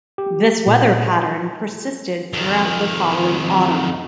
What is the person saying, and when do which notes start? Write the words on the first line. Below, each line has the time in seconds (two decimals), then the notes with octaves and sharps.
This weather pattern persisted throughout the following autumn.
0.18 G4
0.67 A#2
2.33 F2 D#3